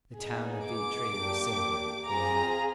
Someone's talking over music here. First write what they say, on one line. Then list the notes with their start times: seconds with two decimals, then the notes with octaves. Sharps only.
The town of Vietri was similarly cleaned up.
0.18 B3 D#4 G#4
0.65 D6
1.13 A#3 D4 G4
2.07 C4 F4 G#4 A#5